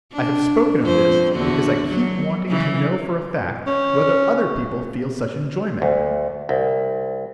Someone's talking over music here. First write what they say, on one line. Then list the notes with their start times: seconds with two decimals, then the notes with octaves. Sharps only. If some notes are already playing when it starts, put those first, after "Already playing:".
I have spoken of this because I keep wanting to know for a fact whether other people feel such enjoyment?
0.12 D4
0.83 F2 C5
1.35 E2 D3 F#4
1.88 F#3
2.48 C#3 E3 C#4
3.67 C#4
5.82 D2
6.49 C2